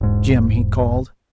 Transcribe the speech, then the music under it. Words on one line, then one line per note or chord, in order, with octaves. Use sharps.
Jim!' he called.
E1 G#2